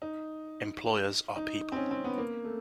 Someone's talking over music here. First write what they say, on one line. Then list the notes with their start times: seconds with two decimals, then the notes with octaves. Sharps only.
Employers are people.
0.02 D#4
1.36 D#4
1.72 C4
1.76 C#4
1.91 C4
2.04 B3
2.18 A#3
2.45 A3